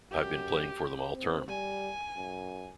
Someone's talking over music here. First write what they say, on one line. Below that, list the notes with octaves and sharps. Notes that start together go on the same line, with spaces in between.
I've been playing for them all term.
F#2 G4
C4
G3 G#5
F#2